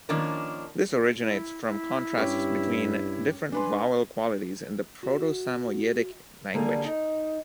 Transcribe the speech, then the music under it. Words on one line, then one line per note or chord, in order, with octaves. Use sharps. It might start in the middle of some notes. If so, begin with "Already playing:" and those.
This originates from contrasts between different vowel qualities in the Proto-Samoyedic language.
D#3 F3 A#3 C#4 D4 A#4
E4
E4
G2 C#4 G4
D4 B4 G#5 C6
F#4 E5
D3 G3 A#3 G#4 A4
D#4